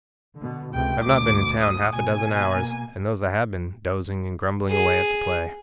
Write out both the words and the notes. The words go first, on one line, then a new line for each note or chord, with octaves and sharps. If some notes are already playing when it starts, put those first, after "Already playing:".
I have not been in town half-a-dozen hours, and those I have been dozing and grumbling away at the play.'
B2 D3
C#2 C3 A3 G5
D2 B2 D6
D#6
B2 G#5
B2 A#3
G#4